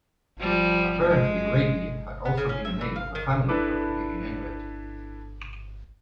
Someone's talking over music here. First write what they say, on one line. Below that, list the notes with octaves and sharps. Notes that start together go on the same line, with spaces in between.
Apparently "Raby" had also been the name of a family property in England.
F3 G3
G#3
B3
C#3
C#4
E5
E3
F5
D#3
D4 E4 A4 B4 D6